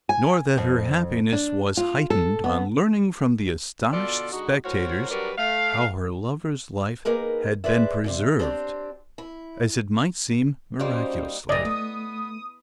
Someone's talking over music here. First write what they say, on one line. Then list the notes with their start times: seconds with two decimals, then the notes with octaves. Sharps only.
Nor, that her happiness was heightened, on learning from the astonished spectators, how her lover's life had been preserved--as it might seem miraculously.
0.09 G#5
0.58 F2
1.33 D4
1.77 F4
2.10 A4
2.44 B3
3.93 B2 D3 F4 A4 D5
4.32 D3 G#3 D#4 F#4
4.64 A2 F#3 F#4 A#4 C5 C#5
5.11 F#3 G3 D4 F#4 A#4 B4
5.38 A3 F5
7.05 A#3 D#4 G#4 A#4 B4
7.64 G#4 B4 C5 D5 E5
8.04 E2 G2 C3
8.39 C4 D4 G4 A#4 C5
9.18 E4
10.79 G3 A#3 C#4 D#4 F#4 C5
11.49 F#2 C#3 E3 G3 D5 D#5
11.65 A3 B3 D#6